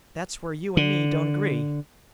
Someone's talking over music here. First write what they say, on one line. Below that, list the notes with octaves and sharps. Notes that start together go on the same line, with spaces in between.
That's where you and me don't agree!
D3